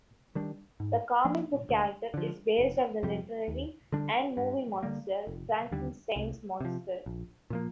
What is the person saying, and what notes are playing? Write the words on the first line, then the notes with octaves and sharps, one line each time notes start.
The comic book character is based on the literary and movie monster Frankenstein's monster.
D#3 G3 D4
G#2
F3 A#3 D4
D2
D3 F3
F1
F2 C3 G3
D#2
D3 G3 D4
G2
D3 G3 A#3
F1
D#2 D3 G3
C2
C3 F3
A#1
A#2 F3 A#3